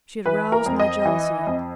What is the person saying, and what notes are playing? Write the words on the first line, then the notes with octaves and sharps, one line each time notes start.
She had roused my jealousy.
E3 B4
A#4
F2
D#5
E3
F2